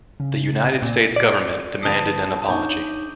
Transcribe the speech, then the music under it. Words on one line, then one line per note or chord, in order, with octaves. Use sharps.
The United States government demanded an apology.
C#3
A#2
D5
F2 D3 B4 A5 D#6 D7 F7
D4 D#4 C#5 C#6 D6 G6